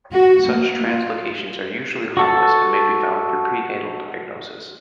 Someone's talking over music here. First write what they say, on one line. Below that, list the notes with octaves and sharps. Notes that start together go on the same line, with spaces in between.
Such translocations are usually harmless and may be found through prenatal diagnosis.
F#4
A#3
F4
F#4 A4 A5